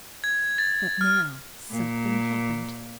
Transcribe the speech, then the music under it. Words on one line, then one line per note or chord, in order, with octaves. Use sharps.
But now something happened.
G#6
A6
F6
A#2